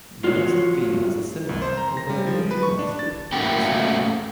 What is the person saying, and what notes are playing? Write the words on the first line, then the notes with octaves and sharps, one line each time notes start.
Males and females are similar, although the females typically are smaller.
F4 F#4 C#5
C2
C5
A#5
A#6
G3
F3
G#3
B4
C#6
D4
A6
A3 A#3 C#4 F#4 G5